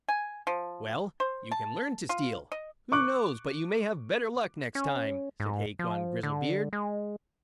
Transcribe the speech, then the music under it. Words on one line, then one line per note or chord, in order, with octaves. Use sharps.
'Well, you can learn to steal; who knows but you may have better luck next time', said Hacon Grizzlebeard.
G#5
F3
C5
A5
F4
D#5
C#6 D6 F#6
C#4
G#2
F3
D3
G#3